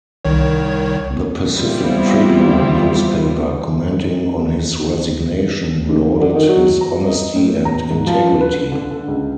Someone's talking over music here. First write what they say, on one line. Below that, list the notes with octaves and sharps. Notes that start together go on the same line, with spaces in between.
The "Pacific Tribune" newspaper, commenting on his resignation, lauded his honesty and integrity.
C2 D#3 C#5
E3 G3 B3 C4 E4 F4
D#2
G#1
D3
D#3
F#3
A#5
D#5
A2
A#5
G#2
F3
B4
D3
D3
D3
C#2